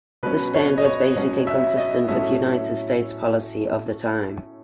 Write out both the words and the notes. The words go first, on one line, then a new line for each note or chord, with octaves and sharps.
This stand was basically consistent with United States policy of the time.
B2 F#3 C#4 B4
C#5
D#5
C#5
B2 F#3 C#4 C#5
E5
D#5
A2 F#3 A3 C#4 E5